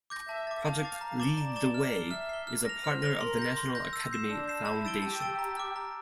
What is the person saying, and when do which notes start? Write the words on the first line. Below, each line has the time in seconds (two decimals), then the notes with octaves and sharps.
Project Lead the Way is a partner of the National Academy Foundation.
0.10 D6 G6 A#6
0.29 E5 A5
0.47 D6 A6
0.65 F5 A5
0.83 D6 A6
1.01 A#5
1.20 D6 A6 E7 G7
1.38 D5 A#5
1.56 D6 A6 E7 G7
1.74 F6
1.92 C7 G7
2.11 E5 F6
2.29 C7 G7
2.47 F6
2.65 A#6 F7
2.83 C5 F6
3.02 A#6 F7
3.20 A#4 C6
3.38 G6 A#6
3.57 C6
3.75 G6 A#6
3.93 E6
4.11 G6 C7 E7
4.30 D4 E6
4.48 G6 C7 E7
4.65 E4 A5
4.85 E6 A6 D7 G7
5.02 G4 A5
5.20 E6 A6 D7 G7
5.39 A#5
5.57 D6 F6
5.76 A#5